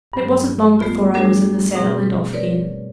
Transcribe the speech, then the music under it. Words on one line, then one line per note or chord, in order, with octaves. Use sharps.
It wasn't long before I was in the saddle and off again.
G2 F#3
A3 B3 F4
G3 A3 D4 F#4 G#4 A#4
B2 C4 G#4 A#6
A#4 B4 C#5 D5